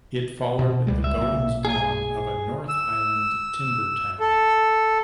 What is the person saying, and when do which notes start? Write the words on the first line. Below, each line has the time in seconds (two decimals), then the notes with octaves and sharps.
It followed the goings-on of a North Island timber town.
0.59 B2
0.87 C#2 G3 G#3
1.04 E5
1.17 B1 A#2
1.65 G#4 G#5
2.69 E6
4.20 A4